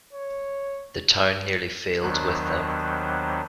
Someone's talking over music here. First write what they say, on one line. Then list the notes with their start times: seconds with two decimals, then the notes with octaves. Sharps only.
The town nearly failed with them.
0.13 C#5
2.01 D#2 D#3 F#3 B3 D4 C5